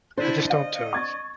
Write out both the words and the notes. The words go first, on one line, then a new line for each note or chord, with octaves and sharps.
I just don't, uh
D3 D4 E4 C5
D#5 F5
C#6 G#6 A6